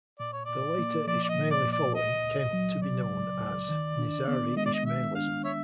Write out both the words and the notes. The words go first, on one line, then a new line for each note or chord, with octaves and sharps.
The later Ismaili following came to be known as "Nizari Ismailism".
A#2 D5
C#5
A#2 D5
A#3
F3 D5
D5
D#5
A#2
D5
A#2
D5
C#2 D#5
C#2
D#5
F#3
C#3 D5
C#2
C#2
D#3
D4
B3
G#3 D#5
D5
D#5
D#3 E5
D4 F5
C#5 E5